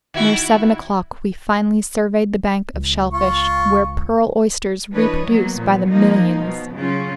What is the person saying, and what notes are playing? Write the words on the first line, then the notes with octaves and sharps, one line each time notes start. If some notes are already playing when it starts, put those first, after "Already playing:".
Near seven o'clock we finally surveyed the bank of shellfish, where pearl oysters reproduce by the millions.
D#3 E4 F#4
C#2
F4 C#6
E3 D4 B4 C#5 D#5
F#3 A#3 B3
A#2 F3 B3
F3 A#3 D#4
B2 F3
C#3 F#3 C#4 F4